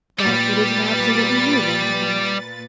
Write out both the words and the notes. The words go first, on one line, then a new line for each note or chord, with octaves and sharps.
'But it is an absolutely new one to me.
A#2 G3 G4 B4 A6